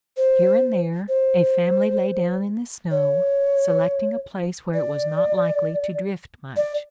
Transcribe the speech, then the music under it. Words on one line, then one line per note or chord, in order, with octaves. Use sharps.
Here and there, a family lay down in the snow, selecting a place where it was not likely to drift much.
C5
C5
C#5
D5
D5